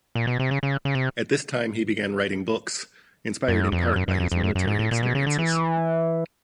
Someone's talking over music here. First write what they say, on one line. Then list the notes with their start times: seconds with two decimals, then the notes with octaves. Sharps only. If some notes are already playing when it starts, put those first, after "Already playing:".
At this time, he began writing books, inspired in part by his military experiences.
0.15 A#2
0.27 B2
0.39 C3
0.51 C#3
0.63 C#3
0.85 C#3
0.95 C3
3.48 F#2
3.72 F2
3.96 F#2
4.08 F#2
4.20 F2
4.32 F2
4.43 F#2
4.55 F#2
4.67 G#2
4.79 A2
4.91 A#2
5.03 B2
5.15 C#3
5.27 D3
5.39 E3